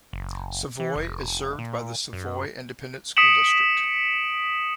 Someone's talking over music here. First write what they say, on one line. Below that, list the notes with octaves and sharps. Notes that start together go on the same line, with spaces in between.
Savoy is served by the Savoy Independent School District.
F#1
E3
F1
A#2
F#2
D#6 B6 C#7 D7 E7 F#7